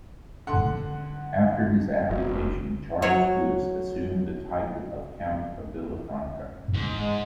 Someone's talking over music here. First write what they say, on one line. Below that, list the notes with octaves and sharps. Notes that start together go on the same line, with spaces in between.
After his abdication Charles Louis assumed the title of Count of Villafranca.
D3 F#5 C6
F1 F#3
F#3 C#5
G#2
G#3